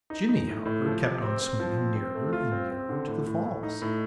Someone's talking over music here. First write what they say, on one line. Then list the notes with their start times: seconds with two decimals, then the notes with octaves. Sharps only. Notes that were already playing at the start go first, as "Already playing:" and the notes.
Jimmie, however, kept on swimming nearer and nearer to the falls.
0.10 D#4
0.29 D#4
0.47 A2
0.65 A2
0.84 F3
1.03 C3
1.22 C4
1.40 C4
1.60 F3
1.77 C4
1.96 C4
2.15 A3
2.33 F4
2.52 C4
2.71 C4
2.89 D3
3.07 A2
3.26 A2
3.45 A2
3.63 D#4
3.82 A2